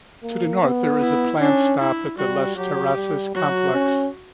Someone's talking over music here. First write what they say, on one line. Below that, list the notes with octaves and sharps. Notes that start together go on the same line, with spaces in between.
To the north, there is a planned stop at the Les Terrasses Complex.
A#3
B3
E4
C#4 D4
E4
G3 F#4
F#3 G4
G3
F#3 F#4
C#4